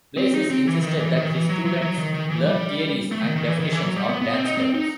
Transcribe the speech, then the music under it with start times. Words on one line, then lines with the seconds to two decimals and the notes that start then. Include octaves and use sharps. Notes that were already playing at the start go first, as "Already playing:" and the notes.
Blasis insisted that his students learn theories and definitions of dance steps.
0.17 C4
0.34 D#4
0.50 C4
0.67 E3
0.83 D#3
0.99 E3
1.16 D#3
1.31 E3
1.49 F#3
1.65 F#3
1.81 F#3
1.98 D#3
2.14 D#3
2.30 E3
2.46 G3
3.11 A3
3.24 D#3
3.36 D#3
3.47 E3
3.60 D#3
3.72 E3
3.85 F#3
3.96 G3
4.09 B3
4.22 B3
4.33 C4
4.45 D#4
4.57 C4
4.74 D#4